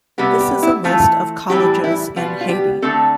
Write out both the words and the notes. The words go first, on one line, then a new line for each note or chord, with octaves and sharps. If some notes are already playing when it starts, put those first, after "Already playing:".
This is a list of colleges in Haiti.
C3 G3 B3 G4
G4
E4
E3 A3 C4 F4
A2 E3 G3 C4 G4
E4
B2 G3 B3 F4
F4
G4
D3 A3 C4 A4